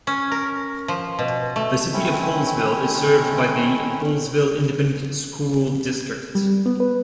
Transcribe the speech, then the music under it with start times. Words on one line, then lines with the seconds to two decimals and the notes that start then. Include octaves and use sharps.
The City of Hallsville is served by the Hallsville Independent School District.
0.07 C#4
0.31 A#4
0.88 F3
1.19 B2
1.56 A3
1.93 D#3 A3 C4 C#4 E4
6.35 G3
6.66 B3
6.80 B4